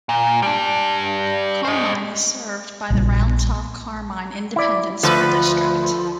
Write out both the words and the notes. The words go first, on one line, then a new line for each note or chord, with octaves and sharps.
Carmine is served by the Round Top-Carmine Independent School District.
A#2
G3 D4
C5 D#5
A#1 A#2 G3
E4 D5
D2 F3 A4 B4